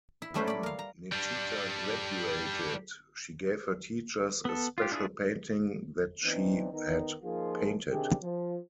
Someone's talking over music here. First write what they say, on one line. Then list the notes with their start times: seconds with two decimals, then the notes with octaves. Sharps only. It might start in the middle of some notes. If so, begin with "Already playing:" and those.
When Nechita graduated, she gave her teachers a special painting that she had painted.
0.22 E4
0.34 F#3 G3 A3 C#4 B4 C5
0.47 D5 B5
0.63 A#4 F5
0.79 A#5
1.12 G3 D4
4.45 B3 A4
4.78 F4 G4
4.92 D4 E4 F4 G#4
6.23 E3 B3 C4 D4 D#4
6.72 D#3 B3 D#4
7.23 F3 A#3 D#4 F4 G#4
7.91 C3 D#3 D4 G4 G#4
8.22 F3